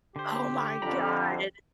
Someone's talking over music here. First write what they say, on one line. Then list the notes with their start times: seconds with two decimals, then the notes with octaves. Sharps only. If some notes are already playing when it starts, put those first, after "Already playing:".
Oh my god!
0.16 D3 G4 C5
0.82 F2 D3 G5 A#5 B5